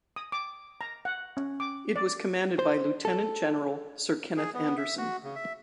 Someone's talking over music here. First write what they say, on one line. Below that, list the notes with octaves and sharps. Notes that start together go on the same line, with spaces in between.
It was commanded by Lieutenant-General Sir Kenneth Anderson.
D#6
D6
A#5
F#5
C#4
D6
D5
C5
A4
G#4
B3
E5
F#4
C#3
E5